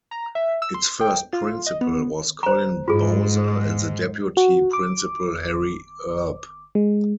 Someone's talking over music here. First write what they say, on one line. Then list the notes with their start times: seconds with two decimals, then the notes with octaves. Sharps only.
Its first Principal was Colin Bowser and the Deputy Principal Harry Earp.
0.11 A#5
0.35 E5
0.62 E6
0.74 C6
1.01 G5
1.33 F4
1.66 D#5
1.81 B3
2.43 C5 A#5
2.88 G#2 F4 G#4
4.37 F#4
4.73 D6
6.75 G#3